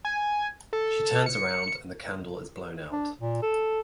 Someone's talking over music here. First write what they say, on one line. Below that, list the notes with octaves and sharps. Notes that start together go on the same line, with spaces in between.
She turns around and the candle is blown out.
G#5
A4
C#7
D4
A#2
A4